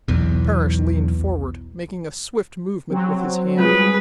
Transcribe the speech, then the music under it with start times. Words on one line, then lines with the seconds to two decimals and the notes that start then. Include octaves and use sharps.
Parrish leased forward, making a swift movement with his hand.
0.08 B1 E2
2.90 F#3 C4
3.58 G3 G#3 F4 G#4 B4